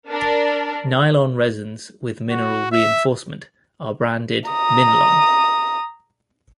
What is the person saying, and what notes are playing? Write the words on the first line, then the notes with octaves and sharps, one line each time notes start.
Nylon resins with mineral reinforcement are branded 'Minlon'.
D4 A#4
F#4
E5
A#5 D#6